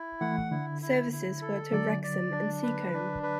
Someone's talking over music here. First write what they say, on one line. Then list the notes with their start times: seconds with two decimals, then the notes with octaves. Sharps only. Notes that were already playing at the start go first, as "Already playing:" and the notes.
Services were to Wrexham and Seacombe.
Already playing: E4
0.21 E3 A3 F#5
0.51 D3 E4
0.82 E4
1.12 E4
1.42 A4
1.72 D3 F#3 D5
2.03 D5
2.32 D4
2.63 B4
2.93 D4
3.23 B4